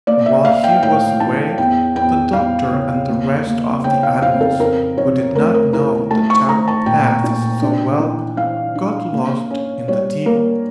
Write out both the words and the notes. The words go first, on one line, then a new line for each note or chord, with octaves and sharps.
And while he was away, the Doctor and the rest of the animals, who did not know the jungle-paths so well, got lost in the deep woods.
A#3 D5
E5
A#3 F5
G5
A2 G5
E3 A5
E2 G5
E2 G5
E2 F5
C#3
A#3
A#3
C#3 G5
F5
F2 F5
A4
F2 A#4
F2 C#5
A3 A#4
A#4
E4 A#4
A3 A5
C#6
A3 A#5
A5
A#2 G5
A#2
D4
E3
E3 F5
D4
A#3
C#4
G3 C#5
A#3 A#4